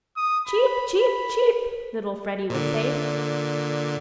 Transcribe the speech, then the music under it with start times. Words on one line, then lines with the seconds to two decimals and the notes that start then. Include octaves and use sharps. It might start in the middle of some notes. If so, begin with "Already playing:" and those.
"Cheep, cheep, cheep!" little Freddy would say.
0.17 D#6
0.47 B5
1.00 B5
2.50 A#2 D3